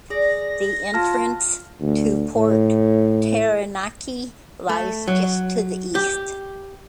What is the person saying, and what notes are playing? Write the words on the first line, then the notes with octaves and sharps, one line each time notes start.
The entrance to Port Taranaki lies just to the east.
G#4 D5 A#6
F#3 F4 F5 A5 F6
D2
A2
A3
F#3
G4